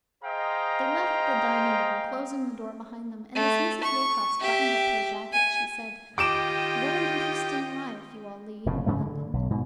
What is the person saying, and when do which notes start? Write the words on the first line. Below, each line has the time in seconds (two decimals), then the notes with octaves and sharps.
They left the dining-room, closing the door behind them, and as Mrs. Wilcox buttoned up her jacket, she said: "What an interesting life you all lead in London!"
0.24 G#4 C5 D#5 F5 G5 A#5
3.35 A3
3.83 C#6
4.40 G4 E5
5.33 G#5
6.18 D#3 F4 G4 D#5 D6 D7 E7
8.66 F1 A2 C#3
8.86 G#2 C#3 F3 A3
9.01 D3
9.33 B1
9.51 G#2 B2